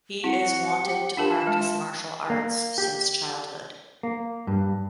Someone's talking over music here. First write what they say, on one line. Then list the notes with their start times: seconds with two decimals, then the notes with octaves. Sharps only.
He is wanted to practice martial arts since childhood.
0.24 C4 E4 F#4 F#5
0.83 G4
1.17 D4 F4 G4 A#4 A5
1.47 G#3
2.30 A#3
2.78 G4
4.03 A#3
4.47 G2